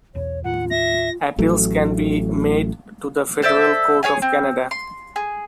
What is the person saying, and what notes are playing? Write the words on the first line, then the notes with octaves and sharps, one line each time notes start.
Appeals can be made to the Federal Court of Canada.
E1 B1 E2 C#5
D#2 A2 D#3 F4 F#5
E5 A#6
A1 F#3 A3
A4 C5 D5 E5
G#4 C#5 F5 G#5
C4
C6
G#4